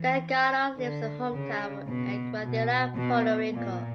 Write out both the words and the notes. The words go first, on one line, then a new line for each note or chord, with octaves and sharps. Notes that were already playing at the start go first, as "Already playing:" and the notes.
Delgado lives in his hometown of Aguadilla, Puerto Rico.
Already playing: E3
D3
C#3
B2
B2
B2
A#2